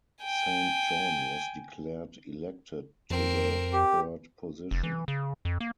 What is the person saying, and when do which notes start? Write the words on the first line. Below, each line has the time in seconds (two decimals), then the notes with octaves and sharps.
Saint John was declared elected to the third position.
0.24 G5 G#5
3.10 F2 C4 A#4
3.73 G4
4.71 F1
4.83 E3
5.08 C#3
5.45 F2
5.60 A#3